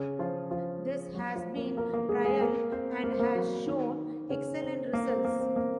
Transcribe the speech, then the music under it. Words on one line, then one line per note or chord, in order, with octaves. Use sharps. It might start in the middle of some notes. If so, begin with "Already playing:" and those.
This has been trialled and has shown excellent results.
Already playing: C#3 C#4
F3 F4
F3 F4
F#3 F#4
F3 F4
A#3 A#4
A#3 A#4
A#3 A#4
G#3 G#4
G#3 G#4
A#3 A#4
C4 C5
A#3 A#4
C5
A#3 A#4
F#3 F#4
D#3 D#4
C#3 C#4
C4
A#3
C4
A#3
C4
A#3